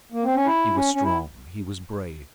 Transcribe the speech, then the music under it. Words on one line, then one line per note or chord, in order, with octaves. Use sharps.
He was strong. He was brave.
A#3
C4
C#4
E4
C#4
C#4
E4